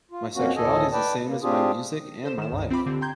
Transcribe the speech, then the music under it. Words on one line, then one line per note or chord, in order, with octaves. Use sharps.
My sexuality is the same as my music and my life.
F4
F2 A#3 C#4 F#4
D2 A2 A4 D#5 G#5
B4 D5 G5 A5
A#3
C4 D4 F4 G4 G#4
A4 C5 E7
D#3 E7
C#2 G2
C4 F4 B5 D6
D3 C4 G4
G5 A#5 C6 G6 G#6